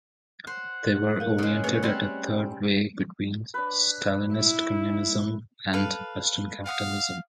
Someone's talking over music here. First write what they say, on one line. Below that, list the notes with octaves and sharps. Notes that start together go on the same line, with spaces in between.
They were oriented at a Third way between Stalinist communism and western capitalism.
C5 F#5
A#4 F5
C#3 G#3
F#3 A3 G#4 B4 C#5
G3 C4 C#4
D4 B4
E4
A4 B4 F5
D5 F5 F#5 D#6